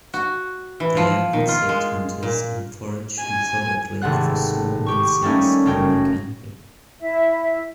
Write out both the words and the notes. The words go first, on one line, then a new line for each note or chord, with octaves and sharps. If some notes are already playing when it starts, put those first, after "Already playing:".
They are insect hunters and forage methodically for small insects in the canopy.
F#4
E3
F3
D#3
F4
G#3
A#2
G#5
G#1 C3 A3 F#5 F#6
G4 C#6
G3 A3 A#3 C#4 D#4
F#1 C#4 G5 A#6
E4 E5